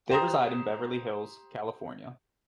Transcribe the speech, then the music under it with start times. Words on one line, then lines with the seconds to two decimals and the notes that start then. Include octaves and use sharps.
They reside in Beverly Hills, California.
0.10 G4 C5 A#5 D#6